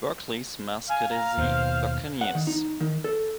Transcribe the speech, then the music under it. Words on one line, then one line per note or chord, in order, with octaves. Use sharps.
Berkeley's mascot is the Buccaneers.
F5 G#5
A#5
D#2 B2 C5
F#5
D#3
D#4
D#3
A4